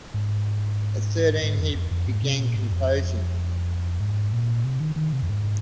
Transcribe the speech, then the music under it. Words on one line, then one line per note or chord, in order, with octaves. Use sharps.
At thirteen he began composing.
G#2
G#2
F2
F2
F2
G#2
C3
A#2
G#2
F2
G#2
A#2
C3
D#3
D#3
C3
F2
G#2